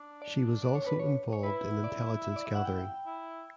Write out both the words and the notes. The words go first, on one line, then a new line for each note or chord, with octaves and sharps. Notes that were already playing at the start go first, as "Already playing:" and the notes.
She was also involved in intelligence gathering.
Already playing: D4
D5
D5
C#5
B4
C#5
C#5
E4 B4
D5
E5
D5
E5
F#5
G5
E4